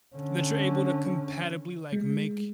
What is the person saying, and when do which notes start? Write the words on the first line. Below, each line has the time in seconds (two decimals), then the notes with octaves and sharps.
that you're able to compatibly, like, make
0.16 D3 C#4
1.92 G#3